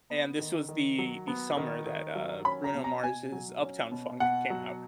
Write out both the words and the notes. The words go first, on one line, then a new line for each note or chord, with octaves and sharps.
and this was the the summer that, uh, Bruno Mars' Uptown Funk came out,
B3
D#3
D#3
F#3
B3
D#3
D#3
F#3
C#4 B5
A#5
B2
A#5
B2 G#5
F#3
C#4
B2
B2 F#5
F#3